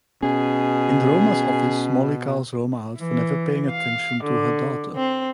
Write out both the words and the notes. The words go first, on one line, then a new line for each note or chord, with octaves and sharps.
In Roma's office, Molly calls Roma out for never paying attention to her daughter.
B2 C#4 G#4
E3
F5
D3
C4